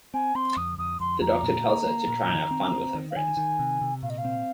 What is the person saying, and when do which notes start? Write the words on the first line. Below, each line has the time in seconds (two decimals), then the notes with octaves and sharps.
The doctor tells her to try to have fun with her friends.
0.14 C4 G#5
0.35 C4 C6
0.57 F2 D#6
0.78 F2 D#6
1.00 F2 C6
1.21 F2 A#5
1.43 A#2
1.64 A#3
1.86 A#3
2.08 A#2
2.29 D#3
2.51 C4
2.73 C4
2.95 D#3
3.10 F5
3.16 D#3 G#5
3.37 D#3
3.59 C3
3.81 C3
4.02 A#2 F5
4.09 D#5
4.17 F5
4.25 C4